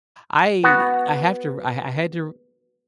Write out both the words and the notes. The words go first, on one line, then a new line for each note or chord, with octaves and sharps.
I I have to I I had to
B3 F#4